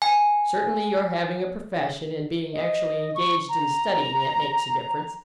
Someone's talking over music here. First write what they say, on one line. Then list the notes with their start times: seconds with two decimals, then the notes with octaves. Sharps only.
Certainly, your having a profession, and being actually engaged in studying it, makes a difference.
0.02 G#5
2.53 D#5
3.15 C#6
3.49 A#5